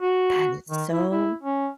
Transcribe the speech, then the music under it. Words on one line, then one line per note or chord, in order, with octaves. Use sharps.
That is so
F#4
D#3
E4
E4
C#4